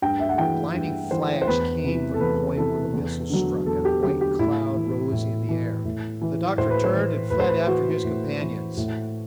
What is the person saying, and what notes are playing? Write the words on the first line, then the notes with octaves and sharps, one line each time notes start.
A blinding flash came from the point where the missile struck and a white cloud rose in the air. The doctor turned and fled after his companions.
G2 G5
E5
F#5
E3 G5
G2
E3 C5
C5
E2 B4
C3 E3
A4
E2 B4
C3 E3 A4
E2
D3 F#3
E2 A4
G4
D3 F#3 G4
G4
A2 E4
E3
A2
E3
A2
E3
A2 C5
B4
C5
E3
A2 B4
C5
B4
E3 F#4
A2
E3
A2